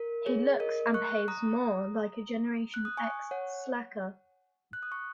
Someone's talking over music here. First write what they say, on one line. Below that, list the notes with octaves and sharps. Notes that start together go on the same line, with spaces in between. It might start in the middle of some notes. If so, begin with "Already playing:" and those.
He looks and behaves more like a Generation X slacker.
Already playing: A#4
G#4 C#5
A#4 D#5
C#6 F#6
A#5 D#6
F#6
D#6
G#5 C#6
C#5 F#5
F#6
D#6
C#6